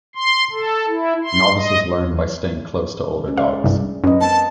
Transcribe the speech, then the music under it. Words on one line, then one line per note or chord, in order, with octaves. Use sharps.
Novices learn by staying close to older dogs.
C6
A4
E4
C6
D#5
E2
G#3 C#4
G#4 D5 E5 F5
C2 G2
F#2 B4 D#5
A#3 C4 A5